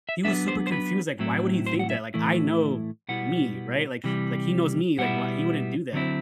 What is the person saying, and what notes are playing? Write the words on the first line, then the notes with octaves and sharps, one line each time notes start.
he was super confused, like, "Why would he think that? Like, I know" me, right? Like, h he knows me. Like, "Why he wouldn't do that.
E5
F#3 B3 D4 E5
C5
C5
B4
A2 F#3 C4 E4
C5
F#5
E5
A2 E3 A3 E4
B2 G3 B3 E4 F#5
C3 E3 G3
B2 G3 B3 E4 F#5
D3 F#3 C4 E4